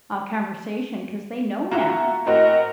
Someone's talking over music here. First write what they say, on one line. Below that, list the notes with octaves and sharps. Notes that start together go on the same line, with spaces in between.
uh, conversation 'cause they know now.
A#3 F4 F#4 E5 A#5
A2 C4 F#4 A#4 D#5